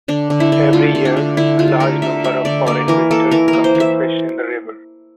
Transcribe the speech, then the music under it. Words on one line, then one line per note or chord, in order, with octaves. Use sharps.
Every year, a large number of foreign visitors come to fish in the river.
D3 D4
D3
E4
D3
A3 F4
D3
D4
D3
D3 E4
D3 F4
A3 A#4
D3 E5
A3 E5
D3 D5
A#3 D5
E3 A#4
A#3 A4
E3 A#4
A#4
A#3
C5
E3
E5